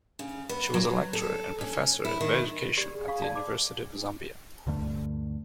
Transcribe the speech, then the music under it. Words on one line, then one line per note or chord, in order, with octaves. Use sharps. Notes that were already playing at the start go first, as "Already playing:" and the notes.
She was a lecturer and professor of education at the University of Zambia.
C#3
B3
F#3
A4
C#4
E4
D#3
G4 D5
G#4
F5 C#6
D5 A5
D6
D2 G2 D3 A3